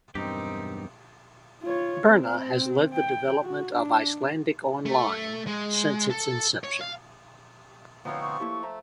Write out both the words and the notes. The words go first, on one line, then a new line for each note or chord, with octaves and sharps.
Birna has led the development of "Icelandic Online" since its inception.
B1 E2 G2 C4 D#4 G4 A#4
F4 C#5
C4
G5
F#4
D4
A3
G#3
A4
C#5
F5
D2 F3 B3 C4 D#4 F4 C#5
C#6
A3 A#3 E4 G4
C5 E5 A#5